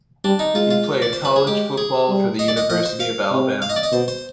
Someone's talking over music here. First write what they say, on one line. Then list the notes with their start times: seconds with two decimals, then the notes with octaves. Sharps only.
He played college football for the University of Alabama.
0.24 G3 D4
0.39 D#4
0.55 G#3 F4
0.71 F4
1.02 D5
1.13 C5
1.25 B4
1.36 G#4
1.47 G#3 G4
1.78 G#4
2.08 G3
2.39 D#5
2.48 D5
2.57 D#5
2.70 F3 D#5
2.86 C5
3.00 F5
3.31 C3
3.62 F5
3.70 D#5
3.76 D5
3.83 D#5
3.92 B2 C5
4.08 C5